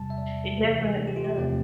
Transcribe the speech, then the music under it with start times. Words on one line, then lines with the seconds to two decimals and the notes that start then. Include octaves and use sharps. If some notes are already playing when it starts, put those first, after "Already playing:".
it definitely does.
Already playing: E2 C3 G3 A5
0.10 E5
0.18 D5
0.57 D2 C3 E3 B4
0.97 A4
1.07 G4
1.16 F4
1.25 G4
1.38 E2 C3 F3 A3 C4